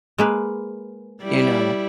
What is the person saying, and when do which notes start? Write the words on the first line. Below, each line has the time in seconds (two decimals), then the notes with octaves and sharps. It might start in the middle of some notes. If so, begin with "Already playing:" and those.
you know,
0.18 G#3 A#3 B4
1.22 G3 E4